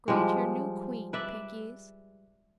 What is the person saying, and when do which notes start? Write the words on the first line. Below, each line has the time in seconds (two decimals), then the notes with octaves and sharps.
"Greet your new Queen, Pinkies!"
0.08 F3 G3 G#3
1.13 B4 D5 E5